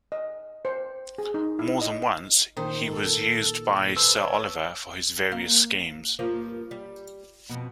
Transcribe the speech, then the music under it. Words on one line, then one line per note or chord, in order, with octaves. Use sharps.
More than once, he was used by Sir Oliver for his various schemes.
D#5
C5
G#4
D#4
E4
D#5
A#2 D#3 D#4 C5
A4
B4 C5 G#5 A5 E6
C#5
A#3 F5
G2 F3 A#3
G3
F2 B2